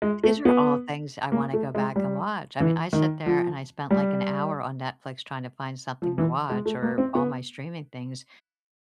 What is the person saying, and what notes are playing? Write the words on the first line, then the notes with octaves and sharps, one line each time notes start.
These are all things I wanna go back and watch. I mean, I sit there and I spent like an hour on Netflix tryna find something to watch or all my streaming things.
G#3
A3
B3
A#3
A3
G#3
G3
E3
D#3
F3
G3
F3
E3
G#3
A3
A#3
C4
B3